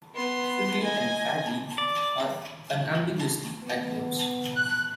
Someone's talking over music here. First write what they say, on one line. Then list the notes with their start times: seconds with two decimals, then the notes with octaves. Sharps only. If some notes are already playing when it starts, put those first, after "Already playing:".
"Quickly" and "badly" are unambiguously adverbs.
0.15 B3 C6
0.83 D#5 G#5
1.78 D5
3.61 B3
4.56 F#6